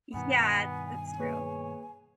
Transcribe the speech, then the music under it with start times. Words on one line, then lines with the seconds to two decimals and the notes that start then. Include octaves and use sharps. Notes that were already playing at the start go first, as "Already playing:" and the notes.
Yeah, that's true.
0.14 G2 B2 D#3 B3 G#5
1.20 A#3 G#4 B4 C#5